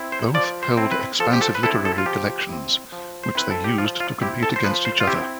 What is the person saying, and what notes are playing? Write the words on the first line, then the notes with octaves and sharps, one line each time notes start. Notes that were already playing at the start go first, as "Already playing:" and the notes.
Both held expansive literary collections, which they used to compete against each other.
Already playing: C4 E4
C5
F3 D5
C5
C4 E4
B4
F3 A4
G4
A4
B4
C4 E4 A4
A4
F4
F3 G4
C4 E4
F3
C5
C4 E4 B4
A4
G4
F3 F4
F4
C4 E4 G4
A4
C5
F3 B4
C5
F4
C4 E4 G4